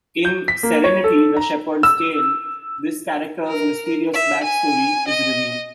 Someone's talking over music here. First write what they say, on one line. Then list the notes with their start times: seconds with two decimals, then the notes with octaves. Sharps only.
In "Serenity: The Shepherd's Tale", this character's mysterious backstory is revealed.
0.25 G6
0.48 B6
0.63 A#3
0.84 C#5
1.04 A4
1.37 A#5
1.83 E6
3.48 A#4
4.14 E5
4.44 G#5
5.09 D#5